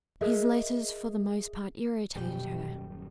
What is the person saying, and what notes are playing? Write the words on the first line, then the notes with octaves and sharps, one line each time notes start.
His letters for the most part irritated her.
G#4 A#4 D#5 E5
D#1 F#2 B2 G3 G4 G5